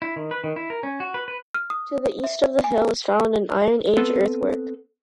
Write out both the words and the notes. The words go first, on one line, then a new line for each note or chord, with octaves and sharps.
To the east of the hill is found an Iron Age earthwork.
E4
D#3
B4
D#3
E4
A#4
C#4
F#4
B4
B4
F6
D#6
E5
G#5
B3 C4 A4 B4